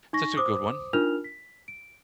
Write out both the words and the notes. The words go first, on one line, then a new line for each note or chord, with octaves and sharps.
That's a good one.
D#4 C#6 A#6
C5 D6 D#6
D4 D#4 F4 A#4 F6 F7
B6
D7